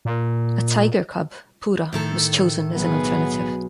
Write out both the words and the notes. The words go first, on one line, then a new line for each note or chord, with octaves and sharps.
A tiger cub, Pura, was chosen as an alternative.
A#2
A2 D#3 A4 G6
E5
B1 F#3 B3 G#4